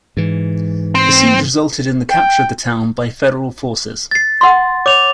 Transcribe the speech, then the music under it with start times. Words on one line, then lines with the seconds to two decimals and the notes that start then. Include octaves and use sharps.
The siege resulted in the capture of the town by Federal forces.
0.17 G#2 E3
0.95 C4
2.11 G5
4.11 A6 C7
4.41 F#5 C6
4.86 C#5 D6 F7